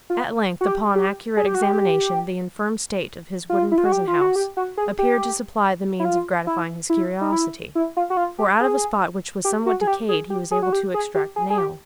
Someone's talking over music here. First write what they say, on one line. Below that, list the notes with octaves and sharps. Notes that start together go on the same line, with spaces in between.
At length, upon accurate examination, the infirm state of his wooden prison-house appeared to supply the means of gratifying his curiosity, for out of a spot which was somewhat decayed he was able to extract a nail.
F4
F#4
G4
G4
G#4
G4
F#4
G4
F4
E4
F4
F#4
G4
F4
F#4
G4
F#4
G#4
G4
E4
F4
E4
E4
D#4
E4
E4
F4
F#4
F4
G4
G#4
G4
F#4
G#4
G4
G#4
G4
G#4
F#4
G4
G#4
G4
G#4
G#4
G4